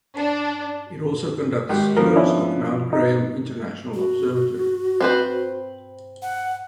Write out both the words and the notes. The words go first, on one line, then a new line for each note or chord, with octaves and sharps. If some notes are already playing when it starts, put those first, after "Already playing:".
It also conducts tours of Mount Graham International Observatory.
D4
G#1 G4
F3 B3 A#4
C#4 D4 E4
D#4
F#4
C4 B4 C5
F#5